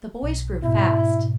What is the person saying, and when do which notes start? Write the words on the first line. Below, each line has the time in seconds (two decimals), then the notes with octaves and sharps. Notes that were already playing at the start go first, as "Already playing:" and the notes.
The boys grew fast.
0.23 B1
0.63 G#2 B2 E4